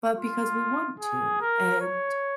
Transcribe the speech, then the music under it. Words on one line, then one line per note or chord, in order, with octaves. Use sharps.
but because we want to, and
F4
G#4
A#4
C#5